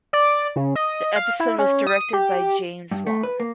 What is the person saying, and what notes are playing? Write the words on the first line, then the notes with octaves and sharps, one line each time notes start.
The episode was directed by James Wan.
D5
C#3
D#5
F5
E4
C#4
D#6
G4
G2
A3
B4
A#3